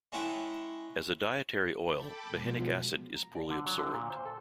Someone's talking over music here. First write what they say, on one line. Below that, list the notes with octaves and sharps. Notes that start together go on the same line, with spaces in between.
As a dietary oil, behenic acid is poorly absorbed.
G#3 C#4 E4 A4 F#5 G5
A4 G5 A5 B5 D6
B2 F3 G#3 B3 F4
A#5
D5
D3
F#3
D3
A#2
C5
A4